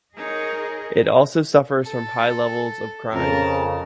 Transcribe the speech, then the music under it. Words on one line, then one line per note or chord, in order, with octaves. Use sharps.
It also suffers from high levels of crime.
D#4 G#4 A#4 C#5 D#5
A4
F2 C#3 A#4 A5